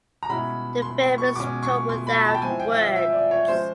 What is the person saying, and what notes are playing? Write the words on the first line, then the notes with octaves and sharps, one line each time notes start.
The film is told without words.
A#5
B2 G#3 C#4 E4 B5
C6
C6
C#6
B2 G#3 C#4 D6
C#6
C6
B5
A5
G5
F3 G#3 C4 E4 G#5
G5
E5
F5
E5
D5
C#5
F3 G#3 C#4 C5